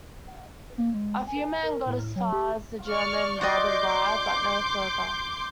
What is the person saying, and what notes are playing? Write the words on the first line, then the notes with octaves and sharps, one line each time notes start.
A few men got as far as the German barbed wire but no further.
A#3
G#3
G#5
A#4
A2
F#3
G4
D5 C#6 F6
F#4 D5 D#5 C6 D6 G6